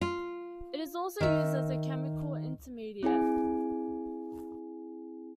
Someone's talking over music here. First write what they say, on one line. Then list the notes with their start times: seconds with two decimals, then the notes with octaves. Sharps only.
It is also used as a chemical intermediate.
0.01 F4
1.21 D#3 E5
3.03 C4 E4 G#4 G#5